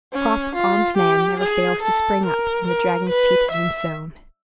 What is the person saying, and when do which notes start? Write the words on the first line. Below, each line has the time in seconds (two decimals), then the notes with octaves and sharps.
"A crop of armed men never fails to spring up, when the dragon's teeth have been sown."
0.13 C#4
0.55 F4
0.97 G4
1.39 G#4
1.82 A4
2.25 A#4
2.66 A#4
3.09 B4
3.51 E5